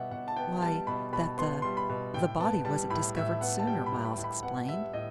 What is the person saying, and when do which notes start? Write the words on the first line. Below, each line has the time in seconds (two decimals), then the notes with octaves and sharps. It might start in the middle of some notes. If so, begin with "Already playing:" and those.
"Why, that the--the body wasn't discovered sooner," Miles explained.
Already playing: B2 G3 B3 G4 E5 F#5
0.11 B2 F#5
0.28 A5
0.36 B3 G5
0.62 G3 A5
0.87 B2 B5
1.13 B2 B5
1.38 B3 C6
1.62 G3 C6
1.77 B5
1.89 B2
2.14 A2 G5
2.39 B3 A5
2.65 G3 A5
2.90 A2 B5
3.16 A2 E5
3.41 B3 F#5
3.59 A5
3.67 G3 G5
3.86 B5
3.92 A2
4.05 B5
4.18 A2
4.24 B5
4.43 B3 F#5
4.68 G3 E5
4.93 A2 D#5